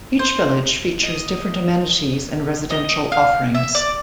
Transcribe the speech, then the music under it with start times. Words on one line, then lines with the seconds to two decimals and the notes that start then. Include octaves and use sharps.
Each village features different amenities and residential offerings.
0.19 C5
1.03 D#5
2.71 D#5
3.12 F5
3.55 E5
3.75 D5